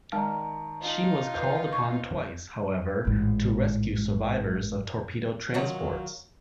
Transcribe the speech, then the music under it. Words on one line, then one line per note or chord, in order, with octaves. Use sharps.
She was called upon twice, however, to rescue survivors of torpedoed transports.
D#3 G#3 D5 A5 A#5
D#4 F4
B4 F5 G6
C#6
A1 G#2
D#3 F#3 F4 F#4